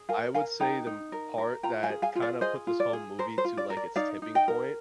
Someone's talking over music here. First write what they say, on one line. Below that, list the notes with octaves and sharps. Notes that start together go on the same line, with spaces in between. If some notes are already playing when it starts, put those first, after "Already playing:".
I would say the m part that kinda put this whole movie to, like, its tipping point
Already playing: G#4
A#4 F5 G#5
A#4 F5 G#5
D#4 G5 A#5
D#4
A#4
A#4
F4 G5 A#5
F5 G#5
G#4
F5 G#5
F4
D5 F5
G#4 C5 D#5
F4
D5
G#4
A#4 C5
C5
F4
D5
A#4
D5
D#4 D5 F5
D#4
D#5 G5
A#4